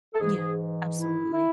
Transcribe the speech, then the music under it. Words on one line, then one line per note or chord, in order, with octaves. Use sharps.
Yeah. Absolutely.
A4
G#2 E3 G#4
E4
E4